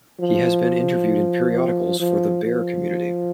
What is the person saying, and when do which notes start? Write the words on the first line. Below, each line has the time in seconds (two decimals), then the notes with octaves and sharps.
He has been interviewed in periodicals for the "Bear" community.
0.20 F3
2.00 F3
2.44 F3